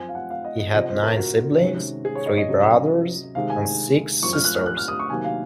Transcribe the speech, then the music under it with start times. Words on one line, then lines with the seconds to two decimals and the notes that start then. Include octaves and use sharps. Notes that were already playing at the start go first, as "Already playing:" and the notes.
He had nine siblings- three brothers and six sisters.
Already playing: F#2 F3 C4 G#5
0.09 F5
0.15 F#5
0.30 F5
0.45 D#5
0.59 D#5
0.73 C3 F3 C4 D#5
0.88 C5
1.02 A#4
1.17 F#4
1.61 C3 D#3 G#3 C#4
2.05 G#4
2.15 C#5
2.26 D#5
2.38 D#5
2.48 C3 F#3 C#4
3.35 C3 D#3 G#3 F5
3.50 G#5
4.22 F#2 F3 C4 C#6
4.33 F6
4.44 F#6
4.55 F6
4.66 F#6
4.77 F6
4.88 D#6
4.99 C#6
5.10 C3 D#3 F#3 A#3 G#5
5.24 F5